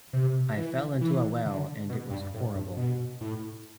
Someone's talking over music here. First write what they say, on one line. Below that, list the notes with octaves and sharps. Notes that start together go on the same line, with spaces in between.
I fell into a well and it was horrible.
C3
E3
E3
D3
B2
G2
A2
G2
B2
A2